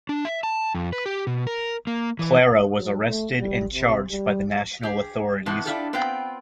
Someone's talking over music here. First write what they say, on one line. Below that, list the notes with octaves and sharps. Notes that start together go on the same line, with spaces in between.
Clara was arrested and charged by the national authorities.
D4
E5
A5
F2
B4
G4
B2
A#4
A#3
E3
F#3
A3
G3
C3
G3
G4 G#4
C3 E3 B3 D#4 A5
D4 E4 F4 G4 A4
B3 C4 F4 B4 G5